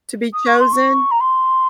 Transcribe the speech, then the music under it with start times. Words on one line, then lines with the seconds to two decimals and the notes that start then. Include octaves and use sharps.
to be chosen.
0.33 D#6
0.46 C#6
0.59 C6
0.73 C#6
1.11 A#5
1.20 C6